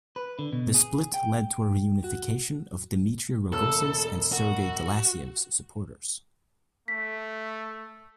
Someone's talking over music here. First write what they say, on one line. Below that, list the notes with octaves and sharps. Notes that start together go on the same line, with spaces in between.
The split led to a reunification of Dmitry Rogozin's and Sergey Glazyev's supporters.
B4
D3
B2
G#4
G5
F#4
E1 A#3 A4 E6
F#4
A3 B6